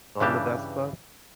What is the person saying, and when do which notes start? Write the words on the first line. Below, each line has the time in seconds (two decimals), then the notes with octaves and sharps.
on the Vespa,
0.20 G2 C#3 E3 D4 G4 A5